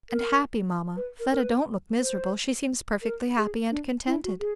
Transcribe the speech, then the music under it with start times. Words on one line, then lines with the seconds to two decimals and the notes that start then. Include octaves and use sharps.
"And happy, mamma--Fleda don't look miserable--she seems perfectly happy and contented!"
0.10 A#4
0.96 B4
1.19 A#4
1.31 A#4
1.42 B4
1.99 C5
3.02 A#4
3.37 G#4
3.71 D4
4.07 E4
4.24 F#4
4.40 G#4